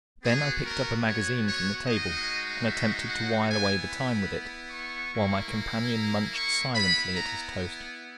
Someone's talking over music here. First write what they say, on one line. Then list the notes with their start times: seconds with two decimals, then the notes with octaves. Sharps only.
Then I picked up a magazine from the table and attempted to while away the time with it, while my companion munched silently at his toast.
0.24 B3 F#4 G#4
0.65 A#4
1.06 C#5
1.46 C#5
1.86 G#3 D#4 F#4 D#5
2.68 E5
3.09 F#5
3.49 B3 E4 G#5
3.90 B5
4.71 C#6
5.12 A#3 E4
5.93 A#5
6.34 C#6
6.74 B3 E4 B5
7.15 A#5